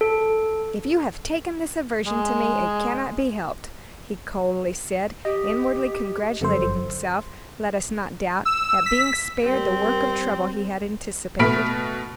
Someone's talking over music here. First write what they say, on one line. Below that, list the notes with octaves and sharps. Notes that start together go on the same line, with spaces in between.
"If you have taken this aversion to me, it cannot be helped," he coldly said, inwardly congratulating himself, let us not doubt, at being spared the work of trouble he had anticipated.
A4
G#3
G4 D#5
G1 F#2 A4 C5
E6
B6
G3 C4 A#4
B2 A3 B5 F6 B6 D7